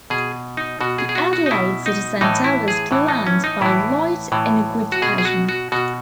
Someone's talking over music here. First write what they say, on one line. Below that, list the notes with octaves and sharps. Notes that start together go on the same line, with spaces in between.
The Adelaide city centre was planned by Light in a grid fashion.
B2 G#4
D#4
B2 F#4
G#4
G#4
F#4
F#4
D#4
B2 E4
D#4
A2 E3 D#4
E4
G#4
A2 E3
D#4
C#4
D#4
A2 E3 E4
A2 E3
F#4
B2 G#4
G#4
F#4
F#4
B2 F#4